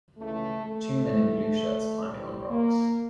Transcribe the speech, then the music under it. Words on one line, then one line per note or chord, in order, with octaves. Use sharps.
Two men in blue shirts climbing on rocks.
C#2 C#3 E3 A3
A3
A#1 A2 E3
A#1 A2 E3 G3
A#3